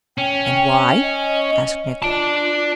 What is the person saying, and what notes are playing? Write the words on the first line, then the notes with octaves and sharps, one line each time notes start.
"And why?" asked Nicholl.
C#4 G5
D#5
F4 D5 A5